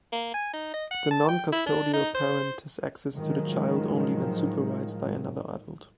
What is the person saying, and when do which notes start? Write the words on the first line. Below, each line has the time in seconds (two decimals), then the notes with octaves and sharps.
The noncustodial parent has access to the child only when supervised by another adult.
0.12 A#3
0.34 G#5
0.53 D#4
0.74 D#5
0.91 F#5
1.11 A5
1.28 G5
1.52 E4
1.66 D4
1.93 D#4
2.14 C5
3.17 A2 D#3 F3 F#3 G#3